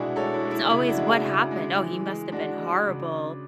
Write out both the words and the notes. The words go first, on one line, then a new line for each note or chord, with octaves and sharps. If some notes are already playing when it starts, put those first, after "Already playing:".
It's always, "What happened? Oh, he must have been horrible,"
Already playing: B2 G#3 D4 E4 F#4 G#4
G#3 A4 C#5
E4
G#3
E4
C#3 E4
D4 F#4
G#3
E4 G#4
C#3
G#3
E3
G#3
G#3 D4 F#4
G#3
C#3